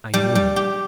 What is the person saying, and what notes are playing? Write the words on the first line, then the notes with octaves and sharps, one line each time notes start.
I knew him.
G3
G3
G4